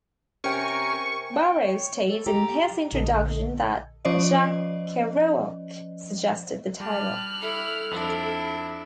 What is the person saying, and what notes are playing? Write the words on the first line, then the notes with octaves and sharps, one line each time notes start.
Burroughs states in his introduction that Jack Kerouac suggested the title.
C3 C#4 A#4 G5 G#5 C#6
G5
C#5
A4
G4 A#5
A#1 D3 A4 D#5
F3 C#4 C5 D5 D#5
G3 G4 A5 F6 F#6
E4 A4
F2 D4 E4